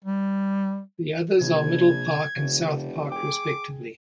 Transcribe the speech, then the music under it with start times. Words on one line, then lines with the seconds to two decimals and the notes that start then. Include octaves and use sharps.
The others are Middle Park and South Park respectively.
0.04 G3
1.41 A#1 C3 G#6
2.36 F1 C#3
3.12 G#4 G5 D6